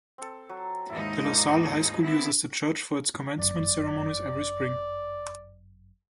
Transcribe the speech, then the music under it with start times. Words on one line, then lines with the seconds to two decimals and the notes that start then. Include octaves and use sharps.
DeLaSalle High School uses the church for its commencement ceremonies every spring.
0.18 C4 A4
0.49 F#3
0.90 D#2 G#2 D#4 E4
1.24 A#3 D4 F4
1.63 G#4
2.01 B3 C4 E4
3.39 G1 F#2 D5